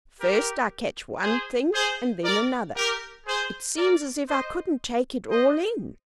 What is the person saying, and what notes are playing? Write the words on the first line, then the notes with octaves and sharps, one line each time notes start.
First I catch one thing and then another; it seems as if I couldn't take it all in.
G4 A#4
G#4 C5
G#4 C5
A#4 D5
G4 A#4
G#4 C5
A#4 D5
C5 D#5
C5 D#5